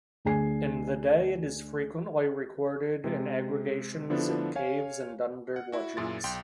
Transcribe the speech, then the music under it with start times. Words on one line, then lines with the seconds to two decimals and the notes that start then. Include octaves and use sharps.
In the day it is frequently recorded in aggregations in caves and under ledges.
0.25 D2 D3 G#4 G#5 C7
3.04 C3 G#3
4.10 D3 F3 B3 D4 E4 A4
4.56 C#5 F5 G#5
5.56 F#5
5.72 E4 F#4
5.97 F#2 A#2 E4 G#4 C6 A6
6.24 B1 G5 C6